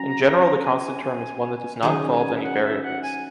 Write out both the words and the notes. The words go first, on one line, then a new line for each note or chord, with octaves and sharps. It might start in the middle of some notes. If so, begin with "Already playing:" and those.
In general the constant term is one that does not involve any variables.
Already playing: F#3 C#4 A#5
G#5
D#3 F#3 C#4 G#4 G#5
G#5
E5
F#5
E5
F#5
G#5